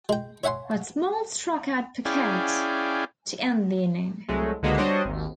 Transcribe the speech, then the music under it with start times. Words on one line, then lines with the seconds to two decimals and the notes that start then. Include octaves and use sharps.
But Smoltz struck out Puckett to end the inning.
0.09 G#3 G5
0.44 C#5 E5 F#5 G#5 C6
2.05 C#4 E4 G#4 D5 F5 G5
4.28 C2 F#3 G#3 A3
4.62 C#2 D3 G#3 A#3 B3 F#4
4.78 G3 D4 F#4 C5 C#5 D#5
5.05 G#1 D#2